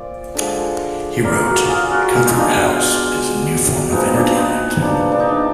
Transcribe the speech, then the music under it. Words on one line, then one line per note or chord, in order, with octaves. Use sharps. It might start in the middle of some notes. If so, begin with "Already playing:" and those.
He wrote: Comfort House is a new form of entertainment.
Already playing: A#2 F3 D5
D3 F3 G#3
A#4 D5
F#4 A#4
F4 G#4
F#4 A#4
B2 G#3 F4
D#4
D4 F4
A#2 F3 G#3 B3 D#4
D4
B3 D#4
B3
D4
D4
D#4
D4